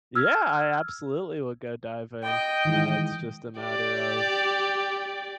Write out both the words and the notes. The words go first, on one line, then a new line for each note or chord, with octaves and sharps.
Yeah, I absolutely would go diving. Uh, it's just a matter of
E6 F6 G#6
D#5 G5
D#3 E3 G#3
G4 D5